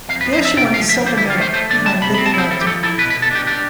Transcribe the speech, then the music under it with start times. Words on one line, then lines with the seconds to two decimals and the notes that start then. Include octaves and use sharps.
There she won the silver medal behind Libby Lenton.
0.09 F2 F5
0.21 B4
0.26 F3
0.33 C5
0.41 F2 E5
0.57 C3 G5
0.73 F3 F5
0.89 F3 E5
1.06 D3 C5
1.18 E4
1.22 D3
1.30 F4
1.37 A3 C5
1.54 A3 C5
1.70 D3 D5
1.86 A3 A5
2.02 C3 B5
2.14 B5
2.18 C4
2.26 A5
2.34 E4 C5
2.51 F3 A4
2.61 G4
2.66 F3 A4
2.83 E4 A4
2.98 B2 B4
3.10 B4
3.15 B2
3.22 A4
3.31 D4 G4
3.47 D4 G4